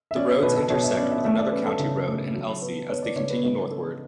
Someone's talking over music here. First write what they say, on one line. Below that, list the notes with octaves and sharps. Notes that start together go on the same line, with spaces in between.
The roads intersect with another county road in Elsey as they continue northward.
E5
C#4 D5
C#5
B2 B4
A4
B2 C#5
E5
C#4 D5
E5
A3 E5
D5
C#4 B4
A4
C#3
A3
F#3
B3
B3 C#5
D5
C#3 C#5
B4
G#2 B4
B3 A4